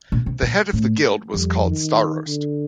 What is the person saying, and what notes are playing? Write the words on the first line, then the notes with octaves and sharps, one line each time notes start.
The head of the guild was called "staroste".
A#2
C3
A#2
A2
F2 G3
D#3
D3